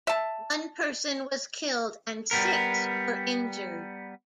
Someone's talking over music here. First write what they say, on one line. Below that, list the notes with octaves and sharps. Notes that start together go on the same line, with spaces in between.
One person was killed and six were injured.
E5 A5
G3 B3 A#4